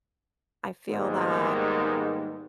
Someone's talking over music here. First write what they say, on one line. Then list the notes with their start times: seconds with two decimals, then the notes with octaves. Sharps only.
I feel that.
0.89 G#2 D#3 G3 G#3 A#3 B3